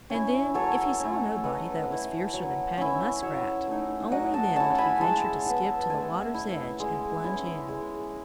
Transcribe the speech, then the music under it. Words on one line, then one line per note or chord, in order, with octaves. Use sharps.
And then--if he saw nobody that was fiercer than Paddy Muskrat--only then would he venture to skip to the water's edge and plunge in.
C#4 E4
F#3 A4 C#5
A3 C#4
A3 B4 D#5
C#4 E4
F#3
C#4 E4
F#3 C#5 E5
A3 D#4
F#3 D#5 F#5
F#5 A5
C#4 E4 F#5 A5
G#5 B5
G#3 F#5 A5
B3 E4
A5
A3 E5 G#5
E4
G#3
C#4 E4
G#3